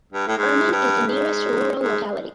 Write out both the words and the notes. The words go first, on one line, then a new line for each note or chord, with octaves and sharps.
Urman is the nearest rural locality.
G2
A2
G#2
G2
G#2
G#2